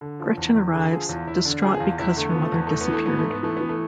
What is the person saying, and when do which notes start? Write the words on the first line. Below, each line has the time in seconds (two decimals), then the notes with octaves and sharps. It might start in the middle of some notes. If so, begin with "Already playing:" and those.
Gretchen arrives, distraught because her mother disappeared.
0.01 D3
0.20 F3
0.37 E2
0.54 E2
0.72 D3 G#4
0.91 F3 G#4
1.09 E2 F4
1.27 E2 E4
1.45 D3 D4
1.62 F3 G#4
1.74 G#4
1.80 E2 F4
1.99 E2 E4
2.16 D3 A3
2.30 F3 B3
2.42 A3
2.52 E2 B3
2.67 E2 A3
2.81 B3
2.89 E3 A3
3.06 G#2 B3
3.19 A3
3.24 G#2
3.30 B3
3.43 E3 A3
3.57 E3 B3
3.69 A3